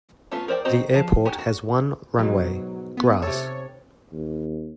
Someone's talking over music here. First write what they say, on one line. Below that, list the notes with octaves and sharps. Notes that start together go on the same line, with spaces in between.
The airport has one runway; grass.
A3 B3 C#4 F4
A#4 C5 D5 G5
C4 F#4 C5 D#5 A#5
F3 F5
D#4 F#4 G4 G#5
F#4
G#2 B2 F#3
B3
C3 A4 C#5
D#2